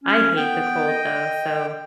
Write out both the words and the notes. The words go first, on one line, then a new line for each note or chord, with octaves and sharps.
I hate the cold, though, so,
C#4
B3 G5
D#5